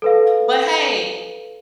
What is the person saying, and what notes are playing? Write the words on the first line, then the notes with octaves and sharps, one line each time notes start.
But hey,
A4 B4 F5